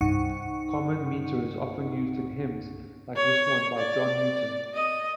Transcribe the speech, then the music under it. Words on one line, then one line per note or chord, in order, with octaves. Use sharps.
Common metre is often used in hymns, like this one by John Newton.
C2 G2 D#4 F#5 C#6 C#7
C#5
D5
D#5